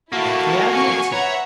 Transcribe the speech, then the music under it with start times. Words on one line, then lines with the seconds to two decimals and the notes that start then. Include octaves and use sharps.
"At the Admiralty."
0.13 A3 A#3 E4 F#4 A5
0.67 G#5 C#6 C#7
1.12 B4 C#5 E5 F#5 A#5